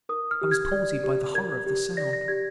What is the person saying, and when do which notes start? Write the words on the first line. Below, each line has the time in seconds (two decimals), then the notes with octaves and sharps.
I was palsied by the horror of the sound.
0.09 A#4 D#6
0.31 F6
0.41 G4
0.51 G#6
0.72 D5
1.04 G4
1.34 A#4 G#6
1.66 G4
1.97 D5 A#6
2.13 A#6
2.28 G4 G#6